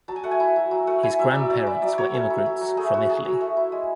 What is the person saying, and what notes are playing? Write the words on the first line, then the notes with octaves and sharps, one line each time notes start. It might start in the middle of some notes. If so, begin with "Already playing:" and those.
His grandparents were immigrants from Italy.
F#3 A5
G#5
A3 F#5
G#5
E4
F#3
F#3
A3 F#5
E4 G#5
F#3 E5
F#3 D5 E5
C#4 D5
E4 D5
F#3 D5
F#3 C#5
C#4 A4
E4
F#3
F#3
A3 G#4
E4 F#4
F#3 G#4
F#3
A3
E4
G#3